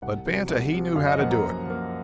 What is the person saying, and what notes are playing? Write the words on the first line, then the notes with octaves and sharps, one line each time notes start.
But Banta he knew how to do it.
C2 F#5
C3 F#3
C2
C3 F#3
F#2 F5
D#5
F3 A#3 F#5
A#5
F#2
F3 A#3